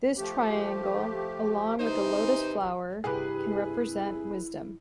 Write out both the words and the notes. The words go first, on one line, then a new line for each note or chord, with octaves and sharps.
This triangle, along with the lotus flower, can represent wisdom.
F3 A3 G4
C3 E3 D#4 C5
G2 C3 E4 G4 G#4 B4